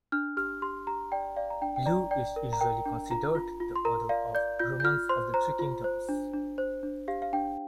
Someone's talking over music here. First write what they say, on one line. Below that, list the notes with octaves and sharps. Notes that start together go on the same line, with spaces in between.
Luo is usually considered the author of "Romance of the Three Kingdoms".
D4 F6
G4 F6
G4 C6
G4 A#5
D5 G5
D5 F5
A#5
D4 G5
G5
D5 A#5
D5 G5
A#4
A#5
A#4 G5
D4 G5
F4 A#5
F4
F4
C6
A#4 A#5
D5 F5
D5 G6
F4 G6
G6
F4 F6
C5 C6
C5 A#5
F4
C5
D4
D4
C5
D4
G4 F5
F5
D4 G5